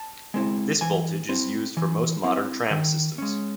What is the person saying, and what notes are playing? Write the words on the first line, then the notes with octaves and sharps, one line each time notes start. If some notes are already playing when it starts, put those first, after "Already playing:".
This voltage is used for most modern tram systems.
Already playing: A5
G#3 C4 E4
E3 G#5
C4 E4
E3
C4 E4
D#3
G#3 C#4